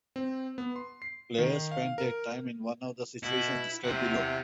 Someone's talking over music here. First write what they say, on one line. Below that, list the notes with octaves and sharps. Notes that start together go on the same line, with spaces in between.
Player spend their time in one of the situations described below.
C4
B3
C6
C7
D#3
F5
A#4
B2 E4
C3 E4 F#5